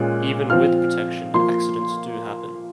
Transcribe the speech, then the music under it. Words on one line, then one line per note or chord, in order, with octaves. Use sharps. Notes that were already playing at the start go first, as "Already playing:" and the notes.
Even with protection, accidents do happen.
Already playing: A#2 G#3 C#4 F4 F#6
F3 C4 F4 F6
F3 A#3 F4 C6